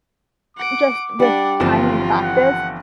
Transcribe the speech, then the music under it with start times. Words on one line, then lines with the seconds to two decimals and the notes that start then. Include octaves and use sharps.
just, with time and practice
0.57 F#5 D6 D7
1.20 G3 D4 D5 F#5
1.60 G1 E3 F3 C4 F4 A5
2.23 F#5